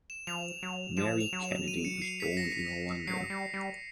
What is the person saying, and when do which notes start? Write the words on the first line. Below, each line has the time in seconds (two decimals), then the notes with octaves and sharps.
Mary Kennedy was born in Orlando.
0.10 E7
0.27 F3 F7
0.63 F#3
0.97 F3 E7
1.20 F7
1.33 F#3
1.44 E7
1.68 D#7
1.85 C#7
2.02 C7
2.20 B6
2.37 A#6
3.07 F#3 C7
3.30 G3
3.54 G3